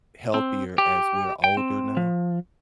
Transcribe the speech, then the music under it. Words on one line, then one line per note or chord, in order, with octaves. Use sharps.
healthier as we're older now,
C4
G4
G5
C4
F3